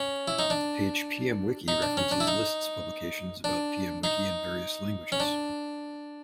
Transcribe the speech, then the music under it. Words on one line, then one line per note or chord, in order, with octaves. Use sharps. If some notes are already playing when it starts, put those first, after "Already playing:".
The page PmWiki References lists publications about PmWiki in various languages.
Already playing: C#4
E4
D#4
D4
D#4
D4
C#4
D4
E4
D#4
D4
D#4
C#4
D4